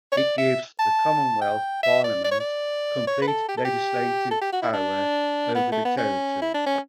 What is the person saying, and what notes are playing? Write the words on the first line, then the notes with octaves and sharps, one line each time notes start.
It gives the Commonwealth Parliament complete legislative power over the territories.
C#5
D5
E5
A5
G5
E5
D5
D5
C#5
D5
C#5
B4
A4
G4
A4
G4
A4
G4
F#4
E4
D4
B3
A3
B3
C#4
E4
D4
C#4